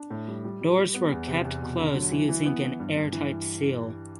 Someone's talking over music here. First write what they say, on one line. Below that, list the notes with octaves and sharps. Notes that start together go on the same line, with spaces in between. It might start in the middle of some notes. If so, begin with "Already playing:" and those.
Doors were kept closed using an airtight seal.
Already playing: D4
A2
G3
G3
G3
G3
B3
E2
C3
E2
B2
D3
F#3
E3
E3
B3
E3
G2
G2
E3